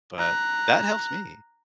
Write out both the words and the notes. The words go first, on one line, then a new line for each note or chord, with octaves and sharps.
But, that helps me.
A#5 F#6